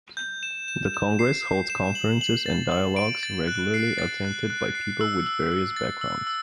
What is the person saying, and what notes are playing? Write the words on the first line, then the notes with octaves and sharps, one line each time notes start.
The Congress holds conferences and dialogues, regularly, attended by people with various backgrounds.
G6
E7
E7
E7
C7
C7
E7
F#7
F#7
A6
F#7
D7
A6
F#6
C7
A6
F#6
F#6
C7
E6
E6
E6
A6
E6
E6